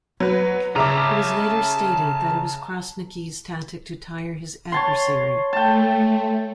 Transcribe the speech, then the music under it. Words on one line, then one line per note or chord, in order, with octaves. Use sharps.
It was later stated that it was Krasniqi's tactic to tire his adversary.
F#3 B4
C#3 E5 A5 A#5 D6
C#5 A5 C6
A3 G5 A5